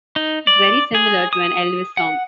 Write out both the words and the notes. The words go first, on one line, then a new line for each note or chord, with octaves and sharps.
It's very similar to an Elvis song.
D#4
D5
G#4
D#6
F#5